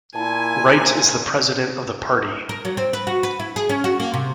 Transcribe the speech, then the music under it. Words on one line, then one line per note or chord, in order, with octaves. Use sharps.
Wright is the president of the party.
A#2 E4 G#5 A5
A#4
F#3
C4
B4
F#4
B4
E4
G#4
C#4
F#4
A#3
C3